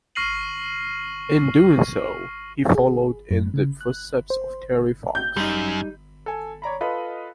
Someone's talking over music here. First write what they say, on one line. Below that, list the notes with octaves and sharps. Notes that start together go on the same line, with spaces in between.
In doing so, he followed in the footsteps of Terry Fox.
C#6 F6 A#6 C7 D#7 F#7
G#4
F#2
C#3
F#6
C5
G6
F#2 G3 D#4
A4 G#5
C#5 D5 A#5 B5
F4 A4 B4 D#5 B5